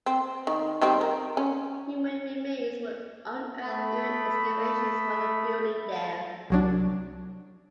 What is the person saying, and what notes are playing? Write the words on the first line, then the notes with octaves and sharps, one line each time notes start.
Human remains were unearthed during excavations for the building there.
C4
D#3
D#3 G3 C4
A#4
C#4
A3 B5 D#6
C2 F#3 D4